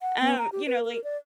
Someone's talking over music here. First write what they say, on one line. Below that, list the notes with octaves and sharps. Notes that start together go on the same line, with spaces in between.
Um, you know, like
F#5
B3
A#5
G4
B4
A#4
D5